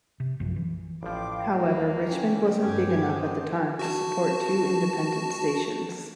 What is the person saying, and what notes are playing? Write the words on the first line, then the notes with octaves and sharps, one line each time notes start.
However, Richmond wasn't big enough at the time to support two independent stations.
C3
A#1 F#2 F3 F#3
E3
A1 F3 F5 G5 B5 C6 D6
E2 A#3 D#4 C#5
D3 C#4 A4 G5 G#5
G2 F#3 C#4 G4 G#4 B4 G#6
C5 D#5
F#4 A5